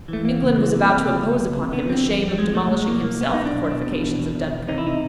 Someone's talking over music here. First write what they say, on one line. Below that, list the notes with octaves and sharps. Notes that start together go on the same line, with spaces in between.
England was about to impose upon him the shame of demolishing himself the fortifications of Dunkirk.
E3 A3
E2 A#3
C#3
E3
C3
C3
C#2
C#2
C#2
C3
D3 B3
D3 C4
F2
F2
G3
F2 G#3
F2 A3
B1 G#3
B1 A#3
B1 A#3
B1 B3
B1 D#4
D4
B1
B2
B2
E2
B2
E2
E2
C3 D#4
E4
C3 D#4